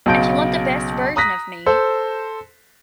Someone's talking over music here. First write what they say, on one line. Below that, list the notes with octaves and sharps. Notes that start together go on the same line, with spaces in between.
if you want the best version of me,
B1 C#3 A5 G6 D7
A#5 D#6 F#6 A#6 B6
A4 C5